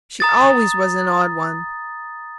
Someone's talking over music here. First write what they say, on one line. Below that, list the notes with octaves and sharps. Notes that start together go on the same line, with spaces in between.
She always was an odd one.
A#5 D#6 A6